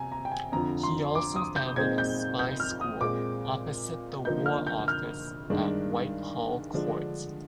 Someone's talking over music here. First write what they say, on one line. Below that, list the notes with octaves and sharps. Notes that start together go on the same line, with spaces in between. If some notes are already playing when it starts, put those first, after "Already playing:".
He also founded a spy school opposite the War Office at Whitehall Court.
Already playing: C3 G#5 A#5
A#5
G5
G#5
F2 D3 F3 A#5
C6
D6
D#6
G6
A#2 G#3 C4 D#4 G#6
G6
G6
F6
D#6
A#2 G#3 C4 D6
D3 F3 A#3 D#4 G6
F6
G6
F6
G2 D#3 G#3 D4
D3 F3 G#3 D4